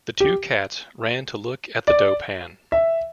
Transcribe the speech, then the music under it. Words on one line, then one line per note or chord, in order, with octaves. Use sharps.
The two cats ran to look at the dough pan.
G4
D5
E5